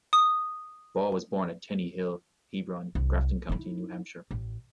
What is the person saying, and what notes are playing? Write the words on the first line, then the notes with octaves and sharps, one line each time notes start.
Ball was born at Tenny Hill, Hebron, Grafton County, New Hampshire.
D#6
C2
D#4 E4
A1